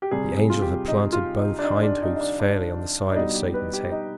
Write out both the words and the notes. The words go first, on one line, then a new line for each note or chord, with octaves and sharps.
The Angel had planted both hind hoofs fairly on the side of Satan's head.
G4
C3 G3 G#4
G#4
F4
G4
D#4
F4
D#4
D4
D#4
D#4
D4
D#4
D#4
D4
D4
D4
B2 G3 D#4
G4
B4
G4
D#4